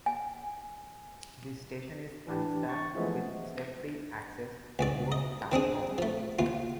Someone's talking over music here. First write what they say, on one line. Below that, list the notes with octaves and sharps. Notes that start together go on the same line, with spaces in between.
The station is unstaffed with step-free access to both platforms.
G#5
E3 D4 G4
C#6 A6
E3 F3 G#3 A3 B3 C#4
C#2 G2 D5
D#5
D#3 C4 D4 G#4
F3 A3
D#2 F4